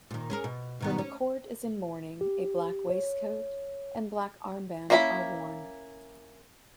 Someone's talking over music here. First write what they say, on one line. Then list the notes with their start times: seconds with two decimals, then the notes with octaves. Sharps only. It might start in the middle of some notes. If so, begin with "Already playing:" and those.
When the court is in mourning a black waistcoat and black armband are worn.
0.11 A#2 D#3
0.30 C#4 G#4 A#4
0.44 B2
0.80 B2 D#3 B3
0.98 C#4
2.21 G4
2.89 C#5
4.90 A#3 C#4 E4 C5 B5